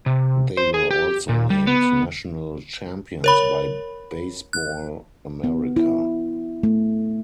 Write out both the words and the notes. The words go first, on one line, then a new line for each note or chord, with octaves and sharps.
They were also named National Champions by Baseball America.
C3
C5
G#4
G4
A#2
G3
B3
A#4 C#5 B5
F#6
B3
E4
A3